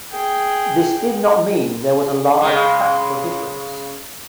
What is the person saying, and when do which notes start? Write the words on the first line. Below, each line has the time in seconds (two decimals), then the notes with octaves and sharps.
This did not mean there was a large practical difference.
0.12 G#4 G5
2.42 C#3 G#3